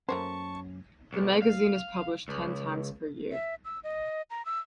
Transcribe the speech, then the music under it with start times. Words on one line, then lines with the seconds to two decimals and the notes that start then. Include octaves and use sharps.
The magazine is published ten times per year.
0.09 F#2 A3 A#3 C#4 C5 A5 C#6
1.13 B1
1.42 F5
2.28 C#2
3.32 E5
3.65 E6
3.84 D#5
4.30 A#5
4.46 E6